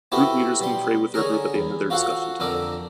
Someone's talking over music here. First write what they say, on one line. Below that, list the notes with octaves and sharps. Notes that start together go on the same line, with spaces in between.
Group Leaders can pray with their group at the end of their discussion time.
B3 E4 F#4 G4 A4 C5
B2 G3 C6
D3 C#4 G#4 A#4
E2
F4 F#4 A4 C5 F5 F#5
F2 D3 A4 A#4 D5